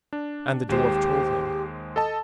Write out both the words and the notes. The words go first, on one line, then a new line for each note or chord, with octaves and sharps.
And the dwarf told him.
D4
D#2 G#3 G4 C5
A4 D#5 A5